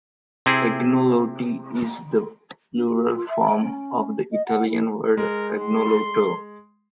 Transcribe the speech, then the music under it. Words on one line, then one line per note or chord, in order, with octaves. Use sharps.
"Agnolotti" is the plural form of the Italian word "agnolotto".
C3 C4 E4 G#4
D4
F#4
F4
E5
C#4
D#5
F#5
E4
G#3 A#4
C6